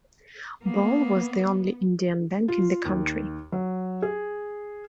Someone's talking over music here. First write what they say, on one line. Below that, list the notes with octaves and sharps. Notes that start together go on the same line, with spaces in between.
BoI was the only Indian bank in the country.
A#3 B3
F4
D#2
F#3
G#4